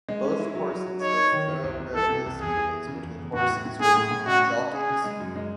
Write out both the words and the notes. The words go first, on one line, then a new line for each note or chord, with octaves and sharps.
Both courses host thoroughbred race meetings between horses ridden by jockeys.
G#3
C#4
E4
F#3
F#3
F#3
D#4 C#5
D#4
D#3
E3
C2
C2
E3 A4
C3
C2
E2 G#4
E3
E2
C#3
E2
E2
A2 F#4
E3
A2
A2 G#4
A2
A2
C#3 F#4
C#4
C#4
C#4 G#4
C#3
G#3
F#2
G#3